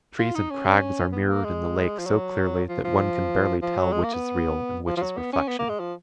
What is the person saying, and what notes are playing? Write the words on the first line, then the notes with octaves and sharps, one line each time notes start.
Trees and crags are mirrored in the lake so clearly that one can barely tell which is real and which is reflection.
F4
D#4
C#4
B3
A#3
G#3
F3
F#3
F3
F3
F3
F#3
G#3
A#3
B3
F3
F3
F#3
B3
C#4
B3
A#3
G#3
F3